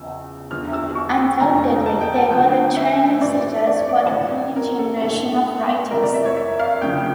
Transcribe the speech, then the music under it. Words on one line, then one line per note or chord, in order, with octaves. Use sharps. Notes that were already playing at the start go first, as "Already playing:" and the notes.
Undoubtedly, they were the trend-setters for the coming generation of writers.
Already playing: E2 C#3 F3 E6
E2 D3 F3 F6
E6
C#6
F1 F2 D3 A#5
A5
G5
A5
D2 D3 F3 G5
E5
A1 G2 E3 D5
D5
C#5
D5
D5
A1 G2 E3 C#5
A#4
A4
A1 G2 E3 A4
F1 F2 E3 A#4
D5
E5
C#5
E5
F5
D2 C#3 F3 G5